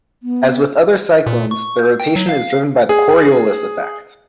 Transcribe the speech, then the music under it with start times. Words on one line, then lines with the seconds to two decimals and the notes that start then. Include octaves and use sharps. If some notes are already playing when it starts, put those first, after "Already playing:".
As with other cyclones, their rotation is driven by the Coriolis effect.
0.23 B3
1.26 A#2
1.51 C#6
1.79 G6
2.00 G5
2.16 F#3
2.29 F5
2.89 G#4